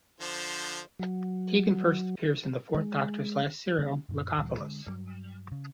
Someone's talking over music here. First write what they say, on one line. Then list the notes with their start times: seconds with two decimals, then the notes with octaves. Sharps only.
Tegan first appears in the Fourth Doctor's last serial, "Logopolis".
0.20 D3 F3 C5
1.00 F#3
2.76 G#3
3.79 D3 G3 A#3 C4
4.09 F#2 A#2
4.38 D2 A#2 E3 G3
4.60 D3 G#3
4.87 G2 F#3
5.52 C#3